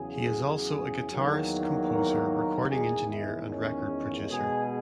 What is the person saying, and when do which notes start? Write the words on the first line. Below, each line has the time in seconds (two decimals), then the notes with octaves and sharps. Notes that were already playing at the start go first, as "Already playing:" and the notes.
He is also a guitarist, composer, recording engineer and record producer.
Already playing: E2 C#3 F#3 G#4
1.11 E2 D#3 F#3 A#3
1.91 A#4
2.30 A#4
2.69 E2 D#3 G#3 G#4
3.09 E4
3.50 C#4
4.29 B2 G#3 G#4